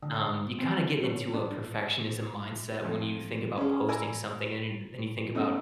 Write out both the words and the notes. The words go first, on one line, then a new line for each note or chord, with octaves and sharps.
Um, you kinda get into a perfectionism mindset when you think about posting something and you th then you think about
D3
C4
F#3
D4
F2 A3
C#4 G#4
A#4 D5 G#5 B5 E6
C#3 A3 B3 D#4